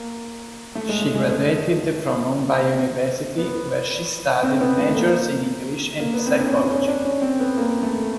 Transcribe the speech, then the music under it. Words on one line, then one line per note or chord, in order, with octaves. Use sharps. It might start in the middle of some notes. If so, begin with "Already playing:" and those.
She graduated from Mumbai University where she studied Majors in English and Psychology.
Already playing: A#3
A3
G#3
A3
G#3
A3
B3
C4
B3
A3
A#3
A#3
B3
C4
D4
C#4
C4
C#4
D4
C#4
C4
B3
A#3
A3